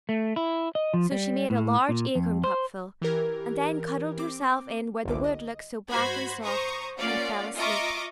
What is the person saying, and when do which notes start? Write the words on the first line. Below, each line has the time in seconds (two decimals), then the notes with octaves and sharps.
So she made a large acorn-cup full, and then cuddled herself in where the wood looks so black and soft, and fell asleep.
0.09 A3
0.36 E4
0.75 D#5
0.94 F3
1.11 G3
1.50 A2
1.89 A#2
2.15 F2
2.44 C5
3.02 E3 G4 A#4 G#6
4.18 C4 D6
5.05 G1 C2 D3 D6
5.24 D#5
5.90 G#2 F#4 C5 B5 G#6
6.43 C5 A#5 C#6 D#6
6.97 A#3 C#4 F4 D5 F5 F#5
7.57 F4 D#5 E5 A#5 C#6 D6